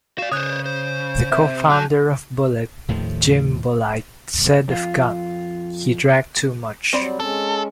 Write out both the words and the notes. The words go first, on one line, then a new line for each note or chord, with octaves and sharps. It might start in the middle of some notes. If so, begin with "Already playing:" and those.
The co-founder of Bullet, Jim Bulleit, said of Gant:He drank too much...
F#4 D5 F5 E7
C#3 C5 C#5 D#6 F#6
C5
C3 E5
F#3 D#4 G#5 A5 F#6 G6
D#2 A2 D#3 F3
F2 F4
F#3 G3 C4 D5 B5
G#3 C#4 A4